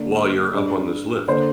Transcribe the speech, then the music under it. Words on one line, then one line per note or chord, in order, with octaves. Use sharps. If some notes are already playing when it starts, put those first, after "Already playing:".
While you're up on this lift.
Already playing: D3 A#3 D4 D5
G2 G3 D4
D3 A#3 D4 C5